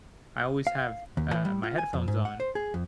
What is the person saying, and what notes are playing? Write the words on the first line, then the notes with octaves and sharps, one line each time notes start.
I always have, uh, my headphones on,
F5
D#2
E3
G3
F4
G#5
F2
G#2
F#5
C5
G#4
F2